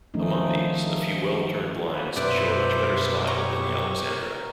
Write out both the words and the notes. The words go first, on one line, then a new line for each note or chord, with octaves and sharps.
Among these, a few well-turned lines show a much better style than the "Alexandra".
D#3 F3 A3 C#4 D#4
A#3 B3
F#2 B2 G3 B4 C5 D5 E5 D6
G4 C#5 A#5 C#6
A#4